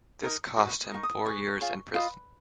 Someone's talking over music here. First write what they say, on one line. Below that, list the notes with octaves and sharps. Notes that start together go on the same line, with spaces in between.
This cost him four years in prison.
D#4 A#4 D#5
F#4 B4 D#5 C#6
D#6
D#4 F#4 A#4 C#6
D#6
G#4 B4 D#5 C#6
F4 G#4 C#5
F4 B4 D#5